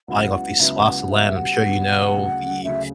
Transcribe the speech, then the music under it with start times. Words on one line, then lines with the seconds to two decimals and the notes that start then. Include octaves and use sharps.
buying off these swaths of land, I'm sure you know the
0.08 C#2 C#3 F#3 B3 E4 F#5
0.60 C#2 C#3 F#3 B3 E4 E5
0.81 G5
0.85 F#5
1.11 C#3 G3 B3 F#4 E5
1.36 F#5
1.62 C#3 G3 B3 F#4
2.14 D2 C#3 F#3
2.64 D2 C#3 F#3 E5